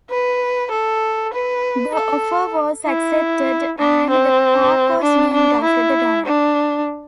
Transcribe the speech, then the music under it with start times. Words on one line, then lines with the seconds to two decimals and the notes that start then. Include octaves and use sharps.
The offer was accepted and the park was named after the donor.
0.10 B4
0.71 A4
1.33 B4
1.95 A4
2.87 E4
3.79 D4
4.10 C4
5.02 D4
5.33 D4
5.64 E4
6.26 D4